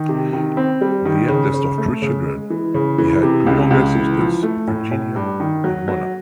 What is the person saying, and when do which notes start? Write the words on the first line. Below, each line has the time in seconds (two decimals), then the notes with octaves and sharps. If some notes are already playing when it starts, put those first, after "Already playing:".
The eldest of three children, he had two younger sisters-Virginia and Mona.
Already playing: D#3
0.09 C3
0.33 D#3
0.57 C4
0.81 G3
1.05 D#3
1.29 C#3
1.54 C#3
1.78 A3
2.02 C#3
2.25 G#3
2.50 E3
2.74 C#3
2.98 E3
3.23 C3
3.46 C#2
3.71 C#2
3.95 E3
4.19 F3
4.43 A3
4.68 A2
4.91 A2
5.16 G2
5.40 D#3
5.64 F#3
5.88 F#3